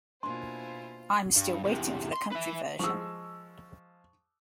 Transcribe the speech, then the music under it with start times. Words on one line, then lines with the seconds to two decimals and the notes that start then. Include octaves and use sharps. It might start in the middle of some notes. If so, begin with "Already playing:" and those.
I'm still waiting for the country version.
0.23 B2 A#3 D4 E4 F4 C5 G#5 C6
1.37 G2
1.64 E2 C3
2.12 C6
2.31 B4 E5
2.79 F3 G#3 C#6 E6